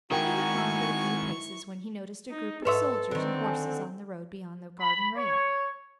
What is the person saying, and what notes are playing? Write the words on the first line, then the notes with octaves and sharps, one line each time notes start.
He had gone but a few paces when he noticed a group of soldiers and horses on the road beyond the garden rail.
G#2 D#3 E4 F#4 A#4 G5 G#5 C#6
D#4
G#2 A4 B4 C#5 E5 C6 E6
D3 D#3 C4
G#5 A5
B5
C#5